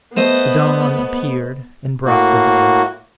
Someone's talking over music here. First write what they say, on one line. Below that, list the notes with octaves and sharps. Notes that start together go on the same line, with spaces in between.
The dawn appeared and brought the day.
A3 B3 C5 D#5
A2 A#3 F#4